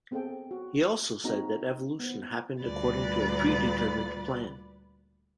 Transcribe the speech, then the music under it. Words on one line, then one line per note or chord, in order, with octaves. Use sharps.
He also said that evolution happens according to a predetermined plan.
B3 C4 G#4 A4 F5 G5
F#4
A#3 C4 D#4 F#4 G#4 A#5
B3 C5
D2 A#2 G3 B4 D5 A6